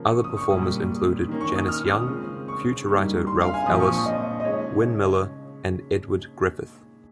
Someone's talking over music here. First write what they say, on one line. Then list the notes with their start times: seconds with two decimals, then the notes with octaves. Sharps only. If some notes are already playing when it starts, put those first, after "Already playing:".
Other performers included Janis Young, future writer Ralph Ellis, Wynne Miller, and Edward Griffith.
Already playing: C#3 F3 A#3
0.11 C#6
0.24 D#6
0.37 C#6
0.50 A#2 G3 A#3 D#6
1.28 D#3 A#3 C#4
1.41 C#6
1.55 D#6
1.68 F6
1.88 D#6
2.08 C#3 G#3 C4 F4
2.48 C#6
2.87 G2 G3 A#3 D#4
3.27 C6
3.41 F5
3.54 G#5
3.66 A#2 F3 C4 F4 D#6
3.80 C#6
3.87 D#6
3.93 C#6
4.06 D#5
4.40 D#5
4.45 C#3 G#3 D#4 C#5